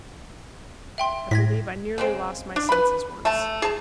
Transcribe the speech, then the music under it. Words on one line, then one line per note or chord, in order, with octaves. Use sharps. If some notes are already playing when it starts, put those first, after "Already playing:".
I believe I nearly lost my senses once.
E5 G5 C6
A2 G#6 A#6 B6
C#3 G#3 C4
D4
B4 B5
A3 A5
G#4 A5